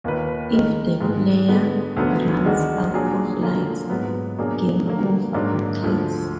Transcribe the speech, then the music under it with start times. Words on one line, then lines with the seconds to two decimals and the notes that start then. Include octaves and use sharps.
If the player runs out of lives, game over occurs.
0.04 D#2 D#3 A#3 F4 B4
0.52 D#3 G#3 D#4 A#4
1.01 G#2 D#3 G#3
1.48 D3 G#3 B3
1.97 D2 D3 F#3 B3
2.45 D#3 G#3 D4 F#4
2.94 A#2 F#3 D4 G#4
3.41 D3 F#3 A#3 F4
3.90 G#2 F#3 B3
4.38 B2 F#3 A#3 D4 G#4
4.86 D3 F#3 A#3
5.34 G#2 F#3 A#3 D4
5.82 D2 D3 F3